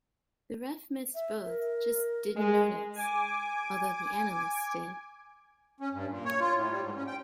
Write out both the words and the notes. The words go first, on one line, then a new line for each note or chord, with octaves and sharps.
The ref missed both, just "didn't notice", although the analysts did.
E5
A#4
G#3
G#5 D6
C#4
G2
A#2
C#5
F4
A2
G3
G#2
C#4
G5